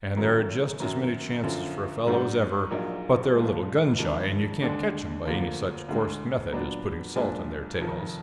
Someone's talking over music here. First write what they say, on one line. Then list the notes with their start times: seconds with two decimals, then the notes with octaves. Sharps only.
And there're just as many chances for a fellow as ever, but they're a little gun shy, and you can't catch them by any such coarse method as putting salt on their tails.
0.17 F#2 D#3 F#3
0.80 F#2 D#3 F#3
1.43 F#2 D3 F3
2.07 G#2 F#3 D4 F#4
2.71 A#1 A#2 F#3 A#3 D#4
3.34 B1 A#2 F3 G#3
3.98 F1 F2 D#3 G#3 D4
4.62 D#2 D3 G#3 D4
5.25 D2 D3 F3 A#3
5.89 D2 D3 G#3
6.52 A#2 F#3 B3 D4
7.15 B1 A#2 G#3 D4 G#4
7.79 F1 F2 D#3